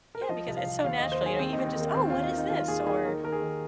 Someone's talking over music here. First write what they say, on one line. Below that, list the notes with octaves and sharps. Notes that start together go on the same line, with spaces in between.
Yeah, because it's so natural, you know? Even just, "Oh, what is this?" or,
A#4
C5
F3 D#5
C2
F5
C2
D#2 F5
D#2 D#5
C5
D#3 G#4
D#2 C4
D#2 D#4
C4
D#3 A#3
D#2 C4
D#2 F4
D#4
D#3
D#4
D#2 F4
D#2 G#4
D#3 G#4
D#2 A#4
D#2 A#4
G#4
D#3